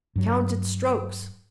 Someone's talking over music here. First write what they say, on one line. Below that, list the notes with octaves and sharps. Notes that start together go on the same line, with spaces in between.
Count its strokes.
G2 F#3